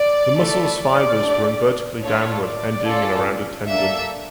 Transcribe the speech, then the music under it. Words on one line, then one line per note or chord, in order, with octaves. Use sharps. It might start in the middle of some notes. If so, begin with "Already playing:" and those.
The muscle's fibers run vertically downward, ending in a rounded tendon.
Already playing: D5
A3 E4 A4
D5
A3 D4 G4
A3 D4 F4 A4 C#5
D5
C#4 F4 A4
A#3 D4 A4 E5